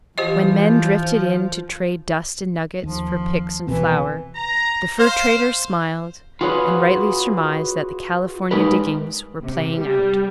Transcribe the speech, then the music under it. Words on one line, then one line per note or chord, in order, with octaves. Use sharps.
When men drifted in to trade dust and nuggets for picks and flour, the fur-traders smiled, and rightly surmised that the California diggings were playing out.
E3 F3 G4 C5 D#5
D#2 F3
C2 B2 E3 C4
A#5
C5 F5
F4 F#4 G#4 B4 C#5
G#3 D#4 G4 A#4 B4
C3
G3